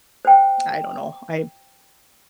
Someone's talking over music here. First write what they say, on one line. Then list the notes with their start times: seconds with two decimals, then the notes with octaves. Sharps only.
I don't know. I
0.25 C5 G5